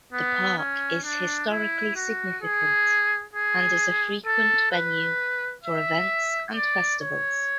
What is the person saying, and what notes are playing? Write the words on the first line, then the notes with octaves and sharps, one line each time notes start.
The park is historically significant and is a frequent venue for events and festivals.
B3
C#4
D4
E4
F#4
G#4
G#4
A4
B4
E5
D5
C#5